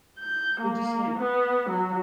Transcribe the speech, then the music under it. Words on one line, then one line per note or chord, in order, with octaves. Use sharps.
Well, just like
G6
A#3
B3
F#3